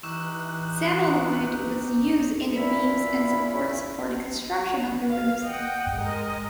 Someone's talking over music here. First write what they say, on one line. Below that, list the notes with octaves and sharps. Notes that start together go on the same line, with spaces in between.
Sandalwood was used in the beams and supports for the construction of the roofs.
E3 D#4 G4 C#6 E6 F#6 E7
G2 A#2 E3 E4 B5
F5
D#5 F#5 G5
G#3 A#4 D#5